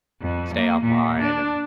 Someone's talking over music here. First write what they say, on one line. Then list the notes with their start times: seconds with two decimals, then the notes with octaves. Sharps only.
stay online," and
0.21 F2
0.54 A#3
0.84 A#2
1.20 D4